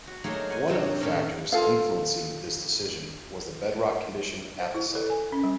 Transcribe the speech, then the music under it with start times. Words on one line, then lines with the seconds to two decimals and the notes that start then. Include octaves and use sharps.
One of the factors influencing this decision was the bedrock condition at the site.
0.07 F#4
0.24 F#3 A3 A#3 D#4 F4 G#4
0.50 F#5 G#5
0.68 C3 F#3 D4 C5 C#5 A5
1.00 F#2 A2 C3 D#3 A3 C#4
1.52 F4 A4 F5
4.60 C5
4.75 E4
4.95 A4
5.10 G#5
5.32 C#4
5.44 G3